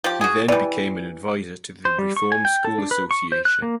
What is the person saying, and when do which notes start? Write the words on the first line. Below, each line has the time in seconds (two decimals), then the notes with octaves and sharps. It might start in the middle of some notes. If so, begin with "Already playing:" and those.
He then became an advisor to the Reformed School Association.
0.04 F3 G4
0.21 F#4 G#4
0.48 E3 G3 D5
1.85 C5
1.99 G3
2.17 C#6
2.32 G#5
2.45 G5
2.65 A4
2.78 D4
2.91 B4
3.11 C#6
3.32 C5
3.45 F#6
3.62 A#3